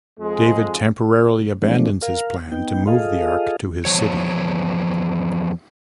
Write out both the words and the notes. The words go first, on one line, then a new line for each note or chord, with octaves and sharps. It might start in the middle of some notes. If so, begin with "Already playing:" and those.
David temporarily abandons his plan to move the ark to his city.
F2 G#3
E3 F3 G#3 A3 C4 D4
A#4 F5
B3 D#4 G5
F4 G#4 A4 D#5 F5
E2 F3 C#5